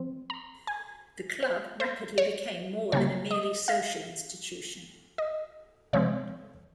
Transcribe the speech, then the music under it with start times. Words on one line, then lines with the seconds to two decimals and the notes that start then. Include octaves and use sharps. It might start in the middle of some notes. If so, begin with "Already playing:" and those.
The Club rapidly became more than a merely social institution.
Already playing: F3 C4
0.30 A#5
0.67 G#5
1.43 C5
1.80 C5
2.18 C#5
2.92 C#3 G3 A#3 C#5
3.31 D#5
3.68 F5
5.18 D#5
5.93 C3 F3 G#3 C4 C#5